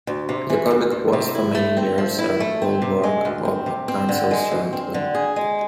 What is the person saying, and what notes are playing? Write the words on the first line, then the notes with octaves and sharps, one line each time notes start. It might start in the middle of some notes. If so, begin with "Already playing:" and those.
Jakobek was for many years a bulwark of the council's right-wing.
D2
C3
E3
D2
D2
C3
E4
A3
C4
F3
E4
A3
C4
C3
G#3
D2
C4
C3
C4
D3
G#3
D2
C4
D3
G#4
G#3